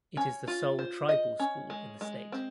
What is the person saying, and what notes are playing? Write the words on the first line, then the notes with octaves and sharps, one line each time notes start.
It is the sole tribal school in the state.
C#4
F4
C5
D#5
C#4
G#3
G#3
C4